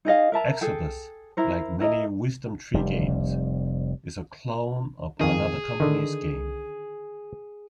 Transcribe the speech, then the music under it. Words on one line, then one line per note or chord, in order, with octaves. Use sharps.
"Exodus", like many Wisdom Tree games, is a clone of another company's game.
D#4 G#4 D#5 F5
A#4 E5 A5 A#5
G#4 A4 G5
E4 A#4 C5
E4 A#4 D#5
F1 C3 G3
F2 D#3 G#4
D3 D#3